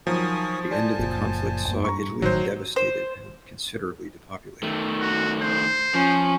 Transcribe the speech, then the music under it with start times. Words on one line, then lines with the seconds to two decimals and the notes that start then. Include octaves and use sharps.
The end of the conflict saw Italy devastated and considerably depopulated.
0.07 D#3 F3 F#3 G#5 C#6 D#6
0.71 C5 D5 G#5 A5
0.99 F#1 A#2
1.68 F#2 A#3
1.85 G2 A#5 C#6
2.22 G#1 A2 D#3 F#3 D#4 C5
2.76 C5
4.63 D#3 A3
5.00 F#4
5.41 C5
5.95 F3 C#4